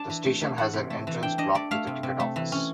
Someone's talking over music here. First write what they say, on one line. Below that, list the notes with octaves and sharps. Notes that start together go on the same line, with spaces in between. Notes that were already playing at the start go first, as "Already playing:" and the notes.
The station has an entrance block with a ticket office.
Already playing: D4 A5
E3
A3
A3
E3 F#5
C3
A3
E3
D4 G5
D4 D#5
A3 D5
A3 F5
C3
C3
A3
E3
C#4